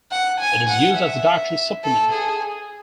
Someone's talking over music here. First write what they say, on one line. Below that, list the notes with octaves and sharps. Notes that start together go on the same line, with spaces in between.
It is used as a dietary supplement.
F#5
G#5
F#5
E5
A4
G#4